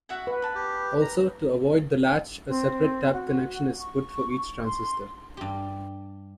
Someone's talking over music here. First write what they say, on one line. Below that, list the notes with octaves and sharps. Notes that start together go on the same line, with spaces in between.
Also to avoid the latch, a separate tap connection is put for each transistor.
F#4 E5 F#5
B4
A5 B5
G4
A#5
C4
F#4
C#6
C6
G2 G4